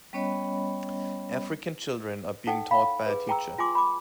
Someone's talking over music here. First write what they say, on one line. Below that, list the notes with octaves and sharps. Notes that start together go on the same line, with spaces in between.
African children are being taught by a teacher.
G3 B3 C#4 C#5 D#5 B5
D#4 A4 F#5 G5
F5 B5
G#4 B4
G#4 G5 A#5 E6
F4 G#5 C6 D6
B5 D6